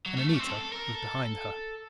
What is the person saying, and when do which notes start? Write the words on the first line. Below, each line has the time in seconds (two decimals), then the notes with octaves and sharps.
And Anita was behind her.
0.06 F#3
0.17 A3
0.29 A3
0.34 C#4
0.40 C4
0.50 A4
0.72 A#4
0.95 A4